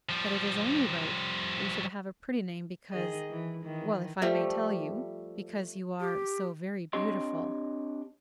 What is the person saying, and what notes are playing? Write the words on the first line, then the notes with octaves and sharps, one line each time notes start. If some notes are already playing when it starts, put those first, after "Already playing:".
"But it is only right that you should have a pretty name, because--well, if I may tell you, because you are so very beautiful."
F3 G3
D#3 G#4 D#5
E3
D#3 E3
F3 G3 A3
G4
C4 D4 G4 C#5 D#5 C6